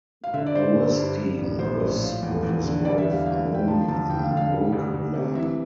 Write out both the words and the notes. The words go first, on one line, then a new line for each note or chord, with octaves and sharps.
Burstein lives with his wife Nomi in Brookline.
F5
D3 E5
D5
G3 C5
G1
G2
G3
A#1
A#1 C5
A2
F3
E2
E2
D3
G3 D5
E5
E2
F5
E2 F5
D3
G5
F3 A5
D2 A5
D2 G5
F5
D3
F5
G3
D2
D2
C3
E3 E5